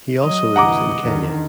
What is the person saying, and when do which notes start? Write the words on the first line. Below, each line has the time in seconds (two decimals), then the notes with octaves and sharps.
He also lives in Kenya.
0.24 F#3 D#5
0.56 D2 C3 E3 F#5 A#5 D6
1.03 E2 D3 D#3